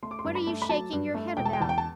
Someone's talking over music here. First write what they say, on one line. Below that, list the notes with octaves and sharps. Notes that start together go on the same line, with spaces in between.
What are you shaking your head about?
A3 C6
D6
C6
G2
B5
A3
B5
F#3 A5
G2
A3
E1 G5
A5
G5
E2 A5
G5
A5